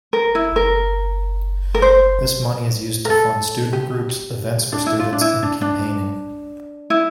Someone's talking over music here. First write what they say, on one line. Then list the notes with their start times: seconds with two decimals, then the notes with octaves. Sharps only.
This money is used to fund student groups, events for students and campaigning.
0.13 A#4
0.35 E4
0.56 A#4
1.75 A#4
1.82 C5
3.05 A#4
3.10 A4
3.73 G4
4.72 D4
4.86 E4
5.00 F4
5.13 D4
5.21 E4
5.43 D4
5.61 D4
6.90 E4